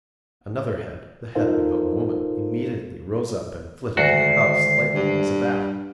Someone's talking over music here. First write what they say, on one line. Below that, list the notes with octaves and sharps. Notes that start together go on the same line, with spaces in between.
Another head--the head of a young woman--immediately rose up and flitted to the house, lightly as a bat.
D#4 F4 A4 A#4 C5 F5
D2 D3 D#3 G#3 F#4 C7
G2